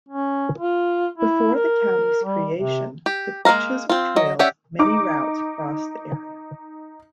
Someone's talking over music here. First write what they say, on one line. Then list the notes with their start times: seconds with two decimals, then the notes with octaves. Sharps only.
Before the county's creation, The Chisholm Trail's many routes crossed the area.
0.09 C#4
0.60 F4
1.18 E4
1.55 A#4
2.24 G3
2.57 C3
3.06 G4
3.45 G#3 A#3 C5 F5 A#5
3.89 C4 F4
4.16 F#3 D#5
4.39 C#4 G4 D5 E5 F#5
4.79 D#4 D6